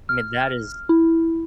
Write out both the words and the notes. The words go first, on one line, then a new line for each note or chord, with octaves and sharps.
I mean, that is
F6
E4